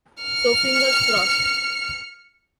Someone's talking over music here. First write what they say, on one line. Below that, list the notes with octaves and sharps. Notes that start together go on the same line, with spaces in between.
So fingers crossed.
F6 C#7